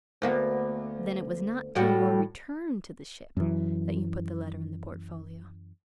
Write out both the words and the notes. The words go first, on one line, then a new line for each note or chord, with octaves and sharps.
"Then it was not till your return to the ship that you put the letter in the portfolio?"
D2 A#3 B3
A2 G3 F#4
F#2 E3